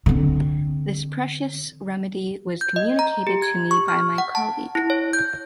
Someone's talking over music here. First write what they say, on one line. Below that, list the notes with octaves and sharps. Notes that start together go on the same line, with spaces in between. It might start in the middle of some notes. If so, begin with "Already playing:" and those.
This precious remedy was communicated to me by my colleague.
D3 C4
G6
D#5
A#5
G4
G#6
C#6
F6
F#5
A5
E4
C#5
G6